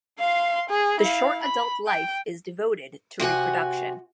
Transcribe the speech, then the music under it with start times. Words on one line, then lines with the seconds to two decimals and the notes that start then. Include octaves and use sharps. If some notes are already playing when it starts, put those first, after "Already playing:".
The short adult life is devoted to reproduction.
0.19 F5 C6
0.69 G#4
1.00 E4 F5
1.43 B5
1.87 G5
3.20 C3 F#4 F#5 G#5